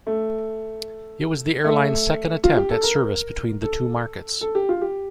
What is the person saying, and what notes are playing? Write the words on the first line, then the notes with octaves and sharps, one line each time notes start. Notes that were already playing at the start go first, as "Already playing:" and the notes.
It was the airline's second attempt at service between the two markets.
A3
A3
F4
G4
A4
A#4
A4
A4
G4
F4
G4